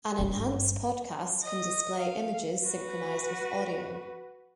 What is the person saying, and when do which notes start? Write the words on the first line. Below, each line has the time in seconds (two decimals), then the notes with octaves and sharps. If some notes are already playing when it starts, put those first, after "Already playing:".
An enhanced podcast can display images synchronized with audio.
0.19 G#1 G2
1.42 D#5
1.97 F5
2.67 F#4 B4